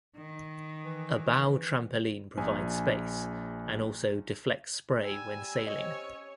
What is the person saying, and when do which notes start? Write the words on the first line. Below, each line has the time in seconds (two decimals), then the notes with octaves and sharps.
A bow trampoline provides space and also deflects spray when sailing.
0.16 D#3
0.85 E3
2.37 A#1 G#5
5.03 G3 G#5 E6
5.67 C3 C#5 D#5
5.98 C#4